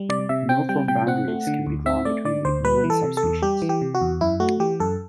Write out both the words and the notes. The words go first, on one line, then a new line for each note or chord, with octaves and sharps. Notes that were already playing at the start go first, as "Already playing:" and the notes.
No firm boundaries can be drawn between the inland subspecies.
Already playing: G3
C3 D5
C3 E5
C4 G5
G3 G5
C3 G5
C4 F#5
A3
D3
D2
C4 E5
A3 D5
D3 D5
D2 C5
G3 B4
E3
A4
C3
A4
E2
G3 G4
E3
G4
C3
F#4
E2
F#2 E4
A3 F#4
E3 G4
F#2 A4